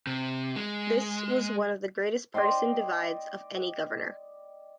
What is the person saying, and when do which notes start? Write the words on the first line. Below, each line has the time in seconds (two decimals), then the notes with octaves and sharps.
This was one of the greatest partisan divides of any governor.
0.07 C3
0.56 G#3
2.34 D5 D#5 G5 C6